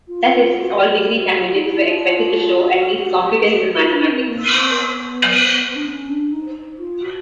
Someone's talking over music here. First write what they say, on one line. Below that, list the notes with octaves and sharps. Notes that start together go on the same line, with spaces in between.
That is, all degree candidates were expected to show at least competence in mathematics.
F4
F4
F4
F#4
F#4
G4
F#4
F4
D#4
E4
F4
F4
F4
F#4
F4
F#4
G4
F#4
F4
D4
C4
A#3
B3
C4
B3
D4
C#4
D4
D#4
F4
F#4